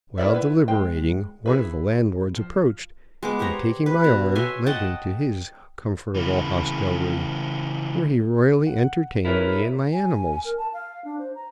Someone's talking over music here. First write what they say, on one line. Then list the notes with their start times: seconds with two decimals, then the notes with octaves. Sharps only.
While deliberating, one of the landlords approached, and taking my arm, led me to his comfortable hostelry, where he royally entertained me and my animals.
0.18 E4 A#4 D5 E5
0.33 E4 B4 F#5
0.68 G#3 G5
1.46 E4 G#4 B4
2.36 F3
3.23 G#3 B3 D6
3.39 G4 C5 C#5 A#5
3.86 B4
4.04 B2
4.35 C#5 E5 G#5 C6
4.66 D#5 F#5 G5 A5
6.15 C#3 E3
8.67 F#5
9.25 E4 F4 G#4 A#4 B4 C#5
9.92 G#5
10.45 A#4
10.57 A5
10.73 F5
11.04 D4
11.19 C5
11.35 A#5